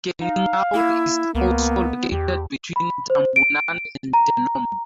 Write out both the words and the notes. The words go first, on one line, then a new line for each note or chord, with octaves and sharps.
Keningau is also located between Tambunan and Tenom.
D#4 F5
A#3 E4
C#2 A#3 B3
E2 G4
B5
C5
D7
A#5